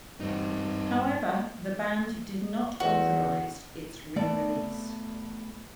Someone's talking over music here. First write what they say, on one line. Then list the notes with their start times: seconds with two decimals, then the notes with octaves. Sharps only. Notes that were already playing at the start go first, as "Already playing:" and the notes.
However, the band did not authorize its re-release.
0.20 G2 C4 D#4
2.80 E2 F#4
4.16 A3 B3 D5 A5